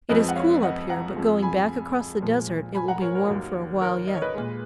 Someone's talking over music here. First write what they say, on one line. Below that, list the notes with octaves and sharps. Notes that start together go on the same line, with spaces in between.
It is cool up here, but going back across the desert it will be warm for a while yet.
F2 F3 G#3 B4 D#5
F#5
C#5 F5
D#5 F#5
F#5 A#5
F2 F3 G#3
G#5 B5
A#2 F3 G#3
G#5 B5
F#5 A#5
A#4 C#5
A#4 C#5
D#2 D#3 F#3
A#4 C#5
D#5
C#5
B4 D#5
A#2 G#3